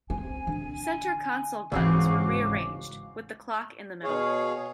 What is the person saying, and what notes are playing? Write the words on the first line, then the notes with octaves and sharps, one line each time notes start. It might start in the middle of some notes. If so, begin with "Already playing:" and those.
Center console buttons were rearranged, with the clock in the middle.
C4 G#5
D3
G1 C#2 G#2 E3 C4 F#4 F5 D6
B2 G#4 C#5 F5